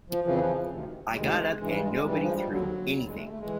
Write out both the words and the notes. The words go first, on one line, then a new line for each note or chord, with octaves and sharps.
I got up and nobody threw anything.
F3
F2 C#3 E3 F3
F3
D2 C3 D#3
G3
D2 C3 D#3 G#3
G2 E3 G#3
G3
G#3
G#3
G2 E3 G3
F3
G#3
G3
D#2 D3 F#3
D#2 D3 G3
G#3
A3
A3
E3 G#3